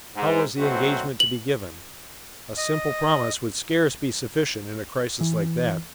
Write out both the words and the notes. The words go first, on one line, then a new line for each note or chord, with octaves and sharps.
How was the engagement to be given? A simple promise would scarce be sufficient in a crisis like that?
G#2
B1 F#3 A3 C4 F#4 C5
F#7
D#5
E3